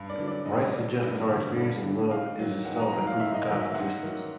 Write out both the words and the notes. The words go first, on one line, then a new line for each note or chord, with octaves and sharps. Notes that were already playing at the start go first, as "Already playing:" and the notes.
Wright suggest that our experience of love is itself a proof of God's existence.
Already playing: G2
D5
D3 F#3
D5
G2 D#5
C#5
D3 F#3 D5
G2 D5
D3 F#3
G2 D5
D3 F#3
G#2 F5
D#3 F#3
G#2 F#5
A#5
D#3 F#3 A#5
F5
G#2 E5
D#5
D#3 F#3
E5
G#2 F#5
D#3 F#3